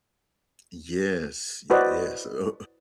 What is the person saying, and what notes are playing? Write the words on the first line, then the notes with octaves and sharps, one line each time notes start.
Yes, y yes, a a uh,
E4 F#4 B4 C5 D5 D#5